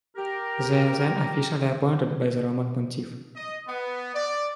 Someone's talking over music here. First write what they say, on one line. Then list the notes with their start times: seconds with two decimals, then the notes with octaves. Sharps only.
They are then officially appointed by the Roman Pontiff.
0.17 G4 A#4
3.35 D#5
3.68 B3
4.15 D5